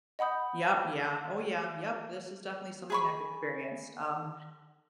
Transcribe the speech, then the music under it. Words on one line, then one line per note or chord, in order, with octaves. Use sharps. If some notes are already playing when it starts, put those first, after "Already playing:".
Yep, yeah, oh, yeah, yep, this is definitely something I've experienced. Um,
D#5 F#5 B5 D#6 G6
G#4 B5 C#6